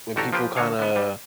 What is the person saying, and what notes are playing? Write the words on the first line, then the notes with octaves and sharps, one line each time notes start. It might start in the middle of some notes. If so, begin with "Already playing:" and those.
when people kinda
A1 D3 F#4 G4 A4 A#5
F3 A#3 F4 G4 B4
D2 D3 F#4 C#5 F5
D3 B3
G3